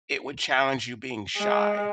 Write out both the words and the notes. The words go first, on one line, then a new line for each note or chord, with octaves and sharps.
it would challenge you being shy,
G#3